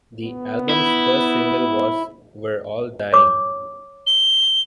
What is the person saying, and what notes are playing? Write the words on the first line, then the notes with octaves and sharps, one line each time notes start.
The album's first single was "We're All Dying".
B3
E4
C#5 D6
G7